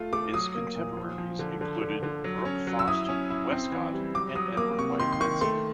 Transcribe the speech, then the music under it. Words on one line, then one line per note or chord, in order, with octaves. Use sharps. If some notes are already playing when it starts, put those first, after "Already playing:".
His contemporaries included Brooke Foss Westcott and Edward White Benson.
Already playing: A3 F4
A3 D6
F#3 D#6
A#3
A#2
F3
F3
D3
D3
D3
D3
F#3
C#4
F#3
E6
E4 D#6
C#4
E4
C4
E3
G3
F#3 D6
F#3 D#6
A#3 D6
C3 C#6
D#3 C6
C6
D#3 C#6
A3 C6